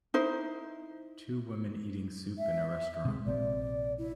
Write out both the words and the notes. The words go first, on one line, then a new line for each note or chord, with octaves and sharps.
Two women eating soup in a restaurant.
D#4 E4 C5
E5
C3 G#3
A#1 C3 C4 D5
E4